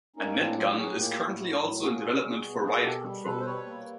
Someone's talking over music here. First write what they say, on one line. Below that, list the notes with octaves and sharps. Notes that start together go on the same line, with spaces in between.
A net gun is currently also in development for riot control.
A#3 C#4 D#4
A2 C4 D4
F#3 F4 G4
A2 F#4 G#4
A#3 F4 G4
A2
E4 F#4
F#3
A2
A#3 F#4 G#4
B2
G3
B2
A#3 F#4 G#4
B2 G4 A4
G3
B2 A4 B4
C5
G3 B4 C#5
A#3